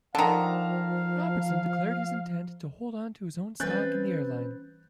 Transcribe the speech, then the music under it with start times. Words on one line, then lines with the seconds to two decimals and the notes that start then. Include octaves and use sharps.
Robertson declared his intent to hold onto his own stock in the airline.
0.15 D3 D#3 F3 F5 A5 A#5
3.60 E3 G3 C4 C#4 B4 F#6 G6 A6